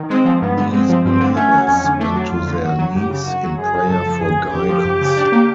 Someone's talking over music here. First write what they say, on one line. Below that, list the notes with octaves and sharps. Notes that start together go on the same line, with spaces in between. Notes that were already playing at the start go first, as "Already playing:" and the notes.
These believers went to their knees in prayer for guidance.
Already playing: D#3
G#3 C4
F3
G2 B3
D3
G#3 C4
F3
G2 C4
D3
A3 C#4
F#3
F2
D3
A3 D4
F#3
F2 F4
D3
F#2 F#4
F#3
F#2 G4
C#3
F#2 F#4
F#3
F#2 G#4
C#3
F#2 A4
F3
F#2 G#4
C#3
F#2 G4
F3
F#2
C#3
D4
A#3